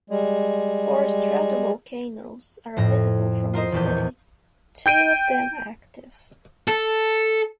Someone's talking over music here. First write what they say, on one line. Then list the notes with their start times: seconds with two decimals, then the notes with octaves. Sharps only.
Four stratovolcanoes are visible from the city, two of them active.
0.10 G3 G#3
2.77 F2 A2 A#6
3.53 F4 A#4 C5 D#5
3.72 A#1 E2 G6
4.86 G5 G6 D7 D#7
6.68 A4